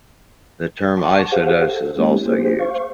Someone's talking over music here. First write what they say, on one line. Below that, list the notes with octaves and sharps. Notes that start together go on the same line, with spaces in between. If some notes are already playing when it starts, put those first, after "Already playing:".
The term eisodos is also used.
F#5 A5 C#6 D6
G4 G#4 C5 F5 F#5
A4
G#3 A#3 C#4 E4 G4
A#3 G4 G#4 C5
C5 F5 C#6